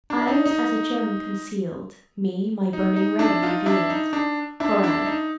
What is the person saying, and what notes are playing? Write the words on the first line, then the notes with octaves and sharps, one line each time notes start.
"I was as a gem concealed; Me my burning ray revealed." Koran.
D4
E4
D#4
D#4
D#4
D#4
D4 E4
D#4 F4
D4 E4
D#4
D4
D4 E4
D4 E4
D#4